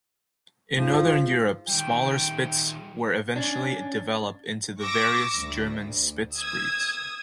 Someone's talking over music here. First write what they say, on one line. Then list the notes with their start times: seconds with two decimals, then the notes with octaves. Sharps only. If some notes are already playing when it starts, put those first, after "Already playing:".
In Northern Europe, smaller Spitz were eventually developed into the various German Spitz breeds.
0.76 G#2 F3
1.69 D#3 G3 G5
3.36 C#4 D4
4.82 C#6 D6 E6 A#6
5.38 D2
6.36 D#6 E6 G#6